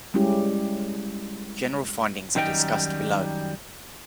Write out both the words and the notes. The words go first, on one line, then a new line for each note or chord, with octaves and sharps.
General findings are discussed below.
G3 G#3 C#4 E4 G4
F#2 D#3 G3 D#4 G5